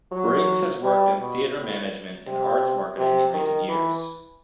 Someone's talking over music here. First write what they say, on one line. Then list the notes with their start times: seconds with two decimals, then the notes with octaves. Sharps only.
Briggs has worked in theatre management and arts marketing in recent years.
0.12 F#3
0.84 G3
1.19 B2
1.55 A2
2.27 C3
2.98 C3
3.33 D#3
3.69 E3